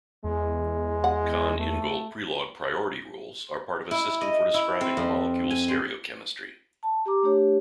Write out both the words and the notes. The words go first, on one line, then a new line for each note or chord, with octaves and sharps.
Cahn-Ingold-Prelog priority rules are part of a system for describing a molecule's stereochemistry.
E2 G#3
F#5
A3
E4
D#5
E4
C4
F2
G#5
C6
A5
G4 A#5 D6
A3 D4 G4 C#5